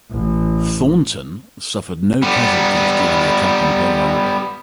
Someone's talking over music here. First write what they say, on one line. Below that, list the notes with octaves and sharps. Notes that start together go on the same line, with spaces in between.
"Thornton" suffered no casualties during the attack on Pearl Harbor.
A1
G3 B3